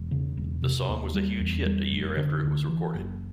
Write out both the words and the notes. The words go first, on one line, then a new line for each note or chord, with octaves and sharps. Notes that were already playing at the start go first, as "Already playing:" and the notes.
The song was a huge hit a year after it was recorded.
Already playing: E1
C#3
E1
C3
D#2
G3
E2
G3
F1
D3
D2
E3
F#1